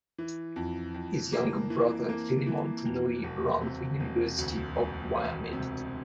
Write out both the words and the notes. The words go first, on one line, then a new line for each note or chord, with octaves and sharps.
His younger brother, Philemon Tanui run for University of Wyoming.
E3
F2
F2
A#3
E3
A#3
E3
F2
E1
C3
E1
D2
E1
E1
C3